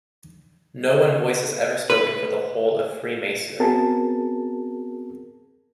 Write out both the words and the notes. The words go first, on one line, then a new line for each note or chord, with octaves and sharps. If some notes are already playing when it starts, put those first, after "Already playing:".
No one voice has ever spoken for the whole of Freemasonry.
B4
B3 C4 F#4 G#4 A#4 A5